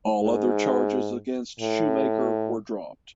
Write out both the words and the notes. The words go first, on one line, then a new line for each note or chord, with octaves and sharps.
All other charges against Sheumaker were dropped.
G#2
A2